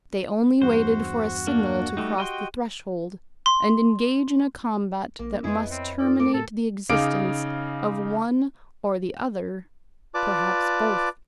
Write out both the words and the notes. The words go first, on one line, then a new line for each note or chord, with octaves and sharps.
They only waited for a signal to cross the threshold; and engage in a combat that must terminate the existence of one or the other--perhaps both.
E2 G2 F#4 C5
A#3 D4
G3 A3 D#4 G4
D#5 G5 C6
C6
A#1 A#3
F2 B3 E4 G#4 D#5
C4 C#5 D#5 B5
D#4 F4 A4 D5
A3 A#4 D6
A2 G#4 A4
C#3 D#4 F5 D6 D7
F4 B4 D5 A5 D6